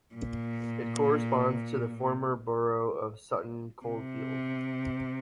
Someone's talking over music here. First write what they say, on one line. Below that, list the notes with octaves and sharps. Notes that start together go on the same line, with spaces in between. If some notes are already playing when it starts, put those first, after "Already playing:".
It corresponds to the former borough of Sutton Coldfield.
A#2
C3